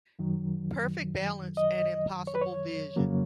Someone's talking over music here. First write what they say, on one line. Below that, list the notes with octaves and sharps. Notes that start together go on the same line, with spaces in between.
Perfect balance and impossible vision.
F#2 D#3 F#3
D#5
C#5
B4
C#5
F2 C#3 F#3 A#3